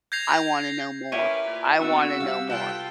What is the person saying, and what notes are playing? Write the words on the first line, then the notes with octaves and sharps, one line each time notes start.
"I want to know more. I want to know more."
G6 G#6 A#6 C7 F7
C#4 E4 G4 A#4 B4
A#2
B3 C4 D4 F#4 E6
C2 G3 G4 F5
F4 A4 B4 G5